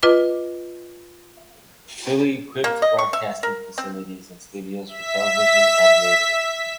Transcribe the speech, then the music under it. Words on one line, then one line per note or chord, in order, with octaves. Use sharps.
Fully equipped broadcasting facilities and studios for television and radio.
F4 B4 D#5 D6
A#3
D#5
C#6
E5
A#4
C4
E5 B6